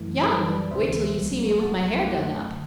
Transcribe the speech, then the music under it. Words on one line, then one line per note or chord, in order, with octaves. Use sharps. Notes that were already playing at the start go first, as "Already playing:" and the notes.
"Young!--Wait till you see me with my hair done up."
Already playing: F#2 E3 A3
F#2 E3 G3 A4 C5
B4 D5
D2 C3 E3 C5 E5
C2 B2 F#3 A3
B1 B2 F#3 F#5 A5
F#2 F#3 A3 D6 F#6
D3